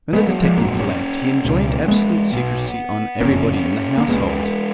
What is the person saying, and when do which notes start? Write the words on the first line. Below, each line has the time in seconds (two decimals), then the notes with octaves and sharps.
When the detective left he enjoined absolute secrecy on everybody in the household.
0.13 G#3 B3
0.27 F#3 A#3
0.42 F3 G#3
0.57 A#1 G#2 F#3 A#3
0.79 A#3 C#4
1.44 C#2 B2
1.88 G#3 B3
2.33 B1 B2
3.20 F#1 F2 C#3 A#3 C#4
3.98 A#3
4.08 C#2 C#3 G#3 B3